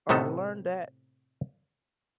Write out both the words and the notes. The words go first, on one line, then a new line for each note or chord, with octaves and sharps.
or learned that
A2 C3 B3 D#4 A4